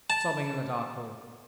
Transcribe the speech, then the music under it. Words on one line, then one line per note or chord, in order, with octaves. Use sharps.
Sobbing in the dark hall.
A5